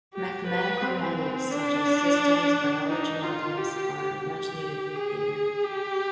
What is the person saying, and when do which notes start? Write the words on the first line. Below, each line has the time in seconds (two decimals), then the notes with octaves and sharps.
Mathematical models, such as systems biology models, are much needed here.
0.13 G4
0.47 B4
0.82 C4
1.51 D4
2.88 D#4
3.23 F4
3.57 G4
4.26 G4
4.95 G#4
5.63 G4